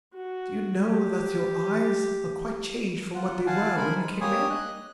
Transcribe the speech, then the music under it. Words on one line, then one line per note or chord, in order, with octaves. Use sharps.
Do you know that your eyes are quite changed from what they were when you came in?
F#4
G4
F4 F#5
F5 F#5 G#5 A5
A#4 C5 G#5 B5
G#3 B5
A#3 G4 C#5 G#5 D#6
D#5 F#6